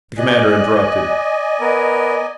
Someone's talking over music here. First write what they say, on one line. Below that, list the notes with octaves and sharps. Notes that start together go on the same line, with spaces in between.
The commander interrupted.
D5 D#5 G#5 F#6
B3 A#4